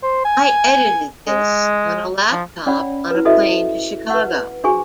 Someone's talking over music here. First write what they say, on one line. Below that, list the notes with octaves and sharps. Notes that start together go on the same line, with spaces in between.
I edited this on a laptop on a plane to Chicago.
C5
G#5
G#3
F3
C#4 C#5 D5 F#5 B5
E4 B4
E4 F#4 A4 C5 D#5 E5
B4 F#5
D4 F#4 G#4 C5 G#5 C#6